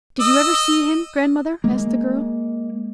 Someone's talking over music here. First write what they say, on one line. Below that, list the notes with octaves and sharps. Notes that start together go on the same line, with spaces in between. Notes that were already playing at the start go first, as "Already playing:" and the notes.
"Did you ever see him, grandmother?" asked the girl.
D#5 E6
G#3 A#3